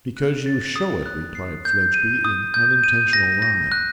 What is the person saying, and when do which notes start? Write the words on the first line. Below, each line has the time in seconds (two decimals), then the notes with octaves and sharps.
'Because you show it,' replied Fledgeby in unintentional rhyme.
0.17 F#6
0.46 A6
0.76 D#6
1.06 F#6
1.35 C7
1.65 G6
1.94 D#7
2.25 D#6
2.54 G6
2.84 D#7
3.13 A#6
3.42 A#6
3.72 F#6